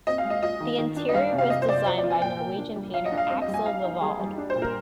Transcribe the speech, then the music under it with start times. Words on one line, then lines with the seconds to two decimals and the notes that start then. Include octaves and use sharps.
The interior was designed by Norwegian painter Axel Revold.
0.07 C4 D#5
0.18 F5
0.25 G#3
0.30 D#5
0.43 F4 D#5
0.60 D#3
0.78 D#3
0.97 D4
1.09 D#5
1.14 G3 F5
1.32 C3
1.38 F5
1.50 C3 D#5
1.62 C5
1.68 C3 D5
1.86 F3 C5
1.98 D5
2.04 F4
2.10 G#5
2.22 A#2 G5
2.40 A#3
2.58 D4
2.76 G3
2.94 F3 F5
3.05 D#5
3.12 D4
3.17 F5
3.30 C4
3.42 D#5
3.48 G3
3.54 G#5
3.66 D#4 F5
3.84 D#4
4.01 G3 G#4
4.20 G3
4.38 D4
4.50 C5
4.56 A#2
4.62 A#4